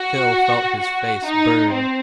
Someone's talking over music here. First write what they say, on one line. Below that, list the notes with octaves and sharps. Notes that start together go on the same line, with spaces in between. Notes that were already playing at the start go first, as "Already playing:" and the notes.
Phil felt his face burn.
Already playing: F#4
F#4
D#4
C4